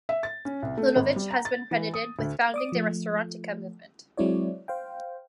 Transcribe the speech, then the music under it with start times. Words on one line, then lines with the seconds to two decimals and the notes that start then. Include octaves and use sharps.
Ludovic has been credited with founding the Restaurantica movement.
0.09 E5
0.23 A6
0.45 C#4
0.62 C2
0.77 A3
0.96 G#1
1.16 G3
1.31 A#5
1.45 A6
1.71 E3
1.94 D#6
2.19 D2
2.54 D5 D6 D#6
2.72 F3 A3
4.17 F#3 G#3 C4 E4 C#5 D5
4.68 C5 F5 G5